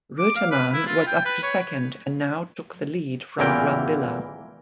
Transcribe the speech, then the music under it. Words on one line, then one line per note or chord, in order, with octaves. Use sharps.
Reutemann was up to second, and now took the lead from Brambilla.
D6
F5
B4
E4
F4
G5
B4
C#5
A1 E2 A#2 E3 A#4 G5